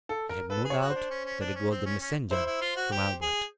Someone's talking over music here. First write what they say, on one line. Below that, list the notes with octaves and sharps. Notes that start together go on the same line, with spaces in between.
He had no doubt that it was the messenger from Albert.
A4
A#4
A4 B4
G#4
C#5
F#4
C5
D4
C#4
C#4
D4
C#4
C4
C#4
C#4
E4 C5
E4
F4
F#4
G4
G#4